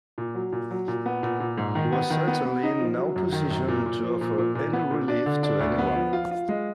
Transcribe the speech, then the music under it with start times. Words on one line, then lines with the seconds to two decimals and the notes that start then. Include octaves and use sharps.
He was certainly in no position to offer any relief to anyone.
0.18 A#2
0.35 F#3
0.52 A#2
0.71 F#3
0.88 A#2
1.06 B3
1.23 A#2
1.40 A#2
1.58 G#2
1.75 D#3
1.92 B3
2.10 D#3
2.28 B3
2.45 B3
2.63 D#4
2.80 F3
2.97 F#3
3.16 F#2
3.32 D#3
3.51 F#2
3.68 A#2
3.86 A#2
4.03 F3
4.21 A#2
4.38 A#2
4.55 A#2
4.73 B3
4.91 A#2
5.08 D4
5.26 D3
5.43 D4
5.60 D2
5.78 B3
5.96 F3
6.13 F4
6.31 F4
6.49 G#3